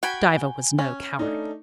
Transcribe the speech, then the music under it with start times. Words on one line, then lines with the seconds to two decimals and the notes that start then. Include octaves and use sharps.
Diva was no coward.
0.03 F#4 G5 G#5 B5
0.79 C#4
1.19 A3 D4 D#4